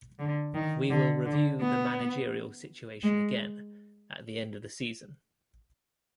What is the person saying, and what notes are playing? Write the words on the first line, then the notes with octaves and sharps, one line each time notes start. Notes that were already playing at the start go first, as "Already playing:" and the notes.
We will review the managerial situation again at the end of the season.
D3
D#3
D3
D3
B3
G#3